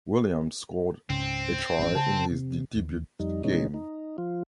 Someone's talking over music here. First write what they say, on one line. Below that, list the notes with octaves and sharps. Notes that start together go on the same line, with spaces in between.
Williams scored a try in his debut game.
C#2 G#2 C#3 C4
G#1 E3 C#4
C#3 A5
C3
D#2
F2 G3 D#4
B2 E3 G#3 C#4 D#4
D#4
F3 F4